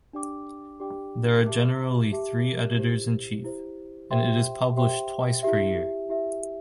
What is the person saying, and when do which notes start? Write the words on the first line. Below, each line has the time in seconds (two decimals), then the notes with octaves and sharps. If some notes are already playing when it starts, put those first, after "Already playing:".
There are generally three editors-in-chief, and it is published twice per year.
0.13 D4 G4 D5 G5 D6
0.80 D4 G4 D5 G5 D6
1.46 G4 E5 A5 D6
2.12 G4 E5 A5 D6
2.78 E4 G4 C5
3.44 E4 G4 C5
4.11 G4 C5 E5 G5 C6
4.76 G4 C5 E5 G5 C6
5.43 E4 G4 E5
6.09 E4 G4 E5